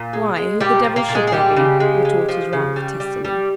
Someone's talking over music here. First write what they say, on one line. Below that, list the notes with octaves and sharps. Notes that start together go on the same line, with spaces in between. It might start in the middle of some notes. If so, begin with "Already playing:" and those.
'Why, who the devil should there be?' retorted Ralph, testily.
Already playing: A#2
G#3
G#3
A#2 G3 G4
F3
A#3 A#4
A#2
G#3 G#4
G#4
G3 G#3 G4
C#3
G#3
G#3
F3
C#3
G3
G3
G3